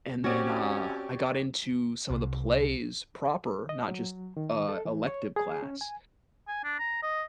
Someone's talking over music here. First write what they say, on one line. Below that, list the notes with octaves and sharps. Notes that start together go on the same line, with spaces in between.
And then, uh, I got into some of the plays proper, not just, uh, elective class,
C4 C#4 F#4 G4 C#5 D5
C2
D#5
F#3
D#3
A4
E3
C#5
G#4
C#4
G#5
G#5
D4
A#5
D#5